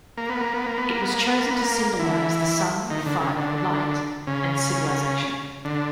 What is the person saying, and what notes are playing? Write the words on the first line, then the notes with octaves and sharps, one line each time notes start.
It was chosen to symbolize the sun, fire, light, and civilization.
A#3
B3
A#3
B3
A#3
B3
A#3
B3
A#3
B3
A#3
B3
A#3
E3
D#3
D3
C#3
D3
C#3
D3